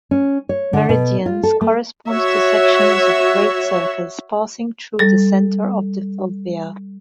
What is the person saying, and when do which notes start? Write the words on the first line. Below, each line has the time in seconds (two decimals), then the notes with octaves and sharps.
Meridians correspond to sections of great circles passing though the centre of the fovea.
0.11 C#4
0.49 C#5
0.73 D3
0.89 B2
1.26 F4
1.43 A4
1.61 A3
2.09 F#4 C#5 E5
4.99 G3 A4